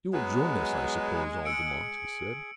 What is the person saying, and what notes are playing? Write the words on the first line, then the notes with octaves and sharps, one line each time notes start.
"You will join us, I suppose, Altamont," he said.
F#3 G#3 B3 B4
G#4 E6 C#7 D7